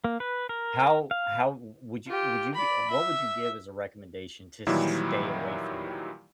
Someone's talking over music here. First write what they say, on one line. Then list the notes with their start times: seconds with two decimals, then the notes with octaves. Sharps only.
How how w would you would you gi what would you give as a recommendation to stay away from that?
0.04 A#3
0.20 B4
0.49 A#4
1.11 F5
2.08 F4 G4
2.54 D5 B5
2.90 E5
4.67 A#2 D#3 E3 F#3 G3 E4